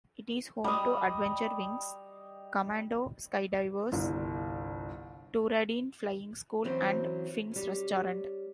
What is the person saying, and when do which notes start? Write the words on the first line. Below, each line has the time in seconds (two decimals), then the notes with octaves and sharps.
It is home to Adventure Wings, Commando Skydivers, Tooradin Flying School and Fins Restaurant.
0.64 G3 D#5
3.92 G1 C2
6.64 E3 F#3 C4 C#4 F#4
7.52 G3 C#4